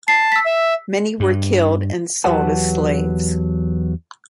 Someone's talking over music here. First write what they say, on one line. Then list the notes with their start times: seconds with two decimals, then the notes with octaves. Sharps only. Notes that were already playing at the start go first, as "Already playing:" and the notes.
Many were killed and sold as slaves.
0.08 A5 C7
0.32 E6 B6
0.46 E5
1.20 G2
2.24 E2 F#3 G4 B4 F#5 A5